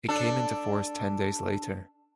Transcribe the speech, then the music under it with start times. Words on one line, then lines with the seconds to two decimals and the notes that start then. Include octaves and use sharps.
It came into force ten days later.
0.08 D4 A4